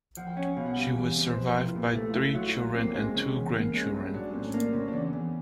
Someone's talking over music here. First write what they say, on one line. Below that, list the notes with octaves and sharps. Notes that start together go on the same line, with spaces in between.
She was survived by three children and two grandchildren.
F3 F#5
G5
C#4 F#5
B2 F5
F#5
G3 F5
E2
C3
C5
F2 B4
A#4
C3 F4
E4
A#2 E4
A3
F4
A3 E4
F#3 F4
F#3 F4
A#3 C4
C#4
G#3 C4
C#3
E2
A#3
G#3 C#4
C4
G2 C#4
F#3 D4
C#4
A2 C4
C#4
A#3 D4
C#3 C4
D4
E2 C#4
E2